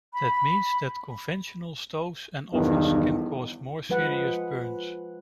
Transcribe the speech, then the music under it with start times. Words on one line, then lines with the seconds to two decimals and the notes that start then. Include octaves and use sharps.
That means that conventional stoves and ovens can cause more serious burns.
0.14 B5
2.53 B1 E2 G2 D#3
3.89 F3 G#3 B4 F#5